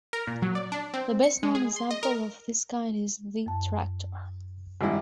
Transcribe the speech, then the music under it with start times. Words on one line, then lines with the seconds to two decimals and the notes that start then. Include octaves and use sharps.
The best-known example of this kind is the tractor.
0.13 A#4
0.27 A#2
0.42 F#3
0.55 D5
0.72 D4
0.94 C4
1.23 C#7
1.43 G#3
1.55 G#4
1.76 C6
1.91 D#5
2.03 A#4
3.46 F#2 A5
4.81 G#1 G2 E4